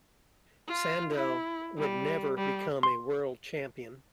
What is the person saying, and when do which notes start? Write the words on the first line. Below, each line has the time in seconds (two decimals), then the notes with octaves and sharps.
Sandel would never become a world champion.
0.68 F4
1.14 E4
1.77 G3
2.37 G3
2.83 C6